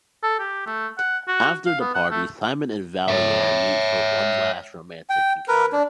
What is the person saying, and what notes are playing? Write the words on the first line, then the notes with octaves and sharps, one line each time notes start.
After the party, Simon and Vallier meet for one last romantic encounter.
A4
G4
A3
F#5
F#4
F5
B3
F#5
A3
C#5 E5
G5
A#4 B4
D4